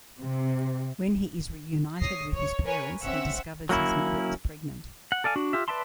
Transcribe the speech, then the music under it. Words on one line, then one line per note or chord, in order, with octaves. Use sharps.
When he is reunited with his parents, he discovers his mother is pregnant.
C3
C#5 D#6 A#6 C7
C#5
A#4 B4 C#5 G#5
C4 C#4 E5 F#5 E6
F#3 A#3 C#4 E4
F#5
A4 D5 F5 G#5
D4 F#4
F4 G4 E5
B4 D5 E5 A5 C6